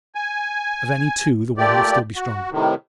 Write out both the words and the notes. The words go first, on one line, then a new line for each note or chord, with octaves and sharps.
Of any two the one will still be stronger.
G#5
A#2 A3 G4 D5
F#4
A2 C3 D#3